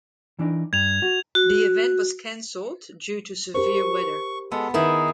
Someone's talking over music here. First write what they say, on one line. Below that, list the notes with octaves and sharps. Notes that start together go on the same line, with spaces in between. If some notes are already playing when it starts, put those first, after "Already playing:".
The event was cancelled due to severe weather.
E3 D4 D#4
G2 G#6 F7
F#4
F#4
G4 A#4 C5 C#6
G#3 B3 A4
D#3 D#4 E4 G#4 B4 B5